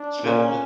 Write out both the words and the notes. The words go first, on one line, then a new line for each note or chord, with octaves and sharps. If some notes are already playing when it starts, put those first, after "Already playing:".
…spent all of it
Already playing: D4
A#2 C#4